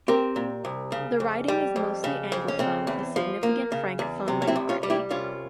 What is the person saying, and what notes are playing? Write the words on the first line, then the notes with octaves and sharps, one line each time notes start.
The riding is mostly anglophone with a significant francophone minority.
C4 G4 A#4
A#2
C2
C#3
F2
G3
F2
C#3
F2
C#4
C#3 C4
E2
F3
A#3
C#3
E2
C3
C#4
C4 E4
C2
C#4 F4
G3
E4 G4
C2 C#4 F4